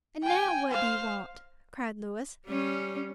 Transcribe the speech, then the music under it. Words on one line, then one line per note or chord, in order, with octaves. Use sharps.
"And now what do you want?" cried Louis.
G5 G#5
C5 F5
G3 C#4